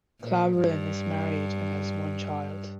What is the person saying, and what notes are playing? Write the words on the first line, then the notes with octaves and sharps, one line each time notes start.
Klaveren is married and has one child.
A#2
G2